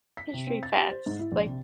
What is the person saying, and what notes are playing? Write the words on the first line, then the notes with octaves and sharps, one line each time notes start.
history facts", like
B6
C3
C4
A6
G4
C5
G#2
E4
A#1
C3